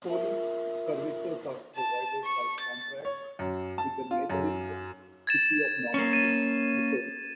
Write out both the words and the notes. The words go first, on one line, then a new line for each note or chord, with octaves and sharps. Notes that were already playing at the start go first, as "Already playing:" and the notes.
Police services are provided by contract with the neighboring City of Normandy, Missouri.
F4 A#4 E5
A5
C#6
A6
C#5
F#2
A5
F4
F#2
G#6 A6 E7
A#3 C#4
A6 D#7